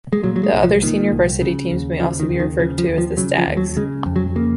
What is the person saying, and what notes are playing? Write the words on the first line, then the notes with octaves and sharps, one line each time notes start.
The other senior varsity teams may also be referred to as the Stags.
G#3
A#2 F#3
F#3
G#3
C2
F3
A#2 D#3
C2
C#3
D#2
C#3 F3
D#3
D#2
D#3
C#3 F3
F3
D#2
F3
C#3 F#3
F3
D#2
F#3
C#3 G#3
F2
F#3
C#3 A#3